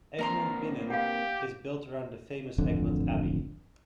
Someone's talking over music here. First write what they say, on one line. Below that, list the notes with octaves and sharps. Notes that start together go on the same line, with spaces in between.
Egmond-Binnen is built around the famous Egmond Abbey.
A#3 C4 D4 A#4 A#5 C6
G4 F5 F#5
D1 G#1 F2 D3